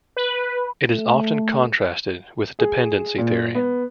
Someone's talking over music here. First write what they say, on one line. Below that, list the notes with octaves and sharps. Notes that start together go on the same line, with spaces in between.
It is often contrasted with Dependency theory.
B4
A3
G#4
A#2
B3